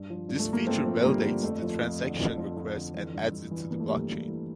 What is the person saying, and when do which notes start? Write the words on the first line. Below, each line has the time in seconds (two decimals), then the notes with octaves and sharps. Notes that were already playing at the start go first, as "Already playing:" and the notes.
This feature validates the transaction request and adds it to the blockchain.
Already playing: G2
0.10 F3
0.28 G2
0.39 A3
0.48 D3 A#3
0.67 G2 A3 C4
0.86 F3
1.04 G2 G3 A#3
1.23 D3
1.43 F2 A3
1.62 F3
1.81 F2
2.00 D3
2.19 F2
2.37 F3
2.57 F2
2.76 D3
2.95 E3
3.14 G2
3.33 G2
3.51 E3
3.71 E3 A#3
3.80 A3
3.89 G2 G3 A#3
4.09 G2
4.28 E3